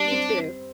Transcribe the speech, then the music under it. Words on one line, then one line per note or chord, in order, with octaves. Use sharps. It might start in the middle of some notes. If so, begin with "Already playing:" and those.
You too.
Already playing: G3 D4
C4